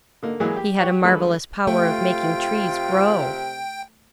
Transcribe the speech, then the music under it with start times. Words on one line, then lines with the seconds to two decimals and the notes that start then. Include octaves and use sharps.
He had a marvellous power of making trees grow.
0.23 D3 A#3 D#4
0.40 E3 F#3 G#3 A#3 G#4
0.57 G4
0.78 G4 C#5 F#5
1.03 D3 F3 F#3 G#3 B4
1.67 C3 A3 F4 G5